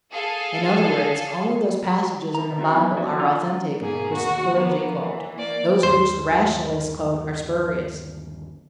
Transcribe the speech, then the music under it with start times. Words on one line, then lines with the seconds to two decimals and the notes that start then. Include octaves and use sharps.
In other words, only those passages in the bible are authentic which the clergy quote; those which the rationalists quote are spurious.
0.12 G#4 A4 F5
2.35 C3 A3 A#5
2.59 C4 E4 F#4 A4 C5
2.75 F#3 B3 D#4
2.97 F3 F#3 B3 F#4 D5
3.19 D3 F3 C#4 F4 F#5 A#5
3.80 G#2 B2 A#3 G#4
4.13 D#2 F#4
4.55 F3 A#3 B3
5.00 E3
5.36 A#3 D5
5.83 G1 D#2 G#3 C5